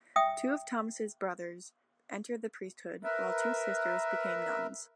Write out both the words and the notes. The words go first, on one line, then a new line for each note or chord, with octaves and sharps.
Two of Thomas's brothers entered the priesthood, while two sisters became nuns.
E5 G5 D#6
A#4 B4 E5